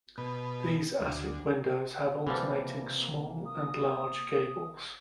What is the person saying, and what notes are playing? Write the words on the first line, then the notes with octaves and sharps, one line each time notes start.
These attic windows have alternating small and large gables.
B2
D2
C3 E3 F3 G3 A#3
D#6